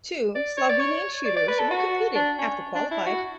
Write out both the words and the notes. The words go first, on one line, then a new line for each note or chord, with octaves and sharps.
Two Slovenian shooters will competed after qualified.
D5
C#5
D5
C#5
D5
D5
B4
A4
F#4
D4
C#4
D4
E4
F#4